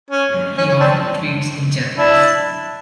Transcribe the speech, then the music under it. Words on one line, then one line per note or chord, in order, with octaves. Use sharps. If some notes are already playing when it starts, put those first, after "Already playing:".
He often tweets in Japanese.
C#4
C#4
C#4
C4 D4
D4 E4